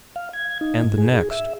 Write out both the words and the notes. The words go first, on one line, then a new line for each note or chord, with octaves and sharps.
And the next?
F5
G#6
D#4
G#2
G#4
G#4
E5